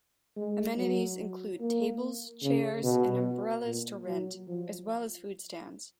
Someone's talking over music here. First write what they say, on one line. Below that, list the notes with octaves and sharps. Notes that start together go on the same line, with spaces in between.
Amenities include tables, chairs and umbrellas to rent, as well as food stands.
G#3
F#3
A#3
C#3
B2
A#2
F#3
F3